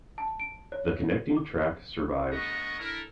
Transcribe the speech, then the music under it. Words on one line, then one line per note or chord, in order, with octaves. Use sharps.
The connecting track survives.
A5
D7
C#5
D6
A3 B3 D4 D#5 A#5 C#6
D4 E4 A4 A#4